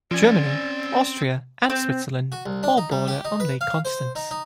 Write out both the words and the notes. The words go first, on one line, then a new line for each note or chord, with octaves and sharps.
Germany, Austria and Switzerland all border on Lake Constance.
F3 C4 C#4 D5 G#5
C4
F#4
C2
D4
D#4
G3
G4
D#4
B4
F5
C5
D#4
D#4